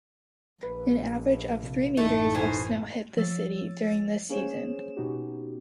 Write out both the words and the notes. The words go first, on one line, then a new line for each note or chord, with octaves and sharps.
An average of three meters of snow hit the city during this season.
A#1 B4
C3
A1 F#2 A3 D#4
B2 C5 G#5
F3 C#5 E6 A6
A#3 C#4 G#4 C5 C#5 E7
B2 B3 C#4 D#4 F#4 G4